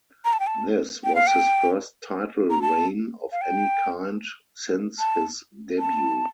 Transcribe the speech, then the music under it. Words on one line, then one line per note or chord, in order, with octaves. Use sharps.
This was his first title reign of any kind since his debut.
A#5
A5
G5
A5
G5
F5
G5
A#5
A5
F5
G5
A5
A5